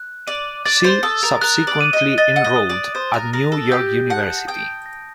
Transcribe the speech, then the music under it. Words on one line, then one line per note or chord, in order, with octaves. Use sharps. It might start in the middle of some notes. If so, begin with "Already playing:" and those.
She subsequently enrolled at New York University.
Already playing: F#6
D5 D#7
D5 A6
C5
A4 D#6
A#4
A#4 F#6
D5
D#7
D#5
D#5 A6
F#5
D#5
D#6
D5
C5 D#6
A#4
A#4 A#6
A4
G4 G6
F#5 A5
G5 D#6
A#6